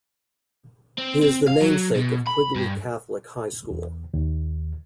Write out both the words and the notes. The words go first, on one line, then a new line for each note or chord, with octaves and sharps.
He is the namesake of Quigley Catholic High School.
C4
C4
F5
F#3
B2
B5
G2
E2
D#2